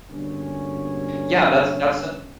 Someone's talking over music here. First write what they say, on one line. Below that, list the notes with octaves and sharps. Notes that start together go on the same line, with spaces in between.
Yeah, that's that's an
G2 B2 D3 A#3 C#4